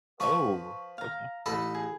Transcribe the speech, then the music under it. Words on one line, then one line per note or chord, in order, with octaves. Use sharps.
Oh, okay.
F3 B4 B5 C#6
F5 A#5
A1 D#4 A4 B5
G#4